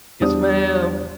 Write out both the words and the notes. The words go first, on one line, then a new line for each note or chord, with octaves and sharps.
Yes, ma'am.
E2 G3 D4 D#6